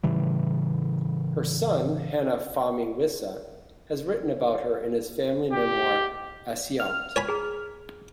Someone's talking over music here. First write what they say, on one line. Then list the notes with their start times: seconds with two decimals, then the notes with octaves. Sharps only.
Her son Hanna Fahmy Wissa has written about her in his family memoir "Assiout".
0.03 A2 C#3 E3 G3
5.53 G4
6.80 F6
7.16 C#5 G#5 B5
7.29 G#4 A#5